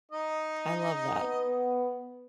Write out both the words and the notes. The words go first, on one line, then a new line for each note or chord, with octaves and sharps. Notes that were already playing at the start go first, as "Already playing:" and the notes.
I love that.
D#4 D#5
B3